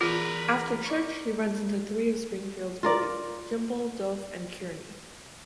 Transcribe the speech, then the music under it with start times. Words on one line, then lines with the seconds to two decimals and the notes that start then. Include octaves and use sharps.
After church, he runs into three of Springfield's bullies: Jimbo, Dolph, and Kearney.
0.01 E2 F4 A#4 B4
0.86 D5 C#6
2.83 F4 A#4 D5